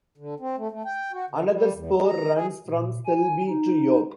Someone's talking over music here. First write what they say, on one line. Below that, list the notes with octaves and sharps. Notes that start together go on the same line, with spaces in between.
Another spur runs from Selby to York.
D3
C4
A3
A3
G5
F#4
D3
G3
E2
G#3
A#5
G#4
A#2
G#5
D#4